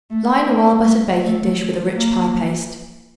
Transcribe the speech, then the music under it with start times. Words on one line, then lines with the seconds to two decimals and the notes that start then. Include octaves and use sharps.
Line a well-buttered baking-dish with a rich pie-paste.
0.10 A3
0.48 A#3
0.84 A3
1.22 A3
1.96 A#3